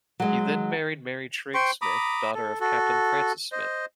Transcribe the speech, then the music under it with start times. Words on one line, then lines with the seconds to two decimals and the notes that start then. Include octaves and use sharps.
He then married Mary Trigg Smith, daughter of Captain Francis Smith.
0.20 F#3 G#3
1.54 C5 G5 C6 C#6
1.82 A#5 B5 D6 D#6
2.34 A4
2.60 F#4 A4
3.52 C5 D#5